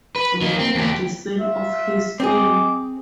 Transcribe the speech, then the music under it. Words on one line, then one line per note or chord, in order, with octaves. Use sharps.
We think the same of his film.
B4
D#3 A#3
C4
E2 G4
F4 E5
C4 G#4 D#5 D6